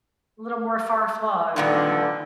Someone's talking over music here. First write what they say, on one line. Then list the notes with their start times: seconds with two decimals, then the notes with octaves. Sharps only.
A little more far-flung, yeah.
1.56 G2 A#2 D3 D#3